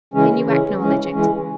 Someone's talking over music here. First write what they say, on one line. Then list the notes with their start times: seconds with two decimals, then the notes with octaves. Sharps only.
"Then you acknowledge it?"
0.14 C#3 E3 G#3 C#4
0.46 C#3 E3 G#3 C#4
0.80 C#3 E3 G#3 C#4
1.13 C#3 E3 G#3 C#4